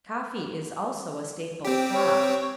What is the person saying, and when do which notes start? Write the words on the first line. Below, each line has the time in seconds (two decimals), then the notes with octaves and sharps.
Coffee is also a staple crop.
1.65 C4 G4
1.93 C#5